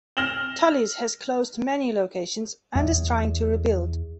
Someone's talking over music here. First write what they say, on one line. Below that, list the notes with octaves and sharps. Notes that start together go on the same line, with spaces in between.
Tully's has closed many locations and is trying to rebuild.
F6 A#6 E7 F#7 G7
E2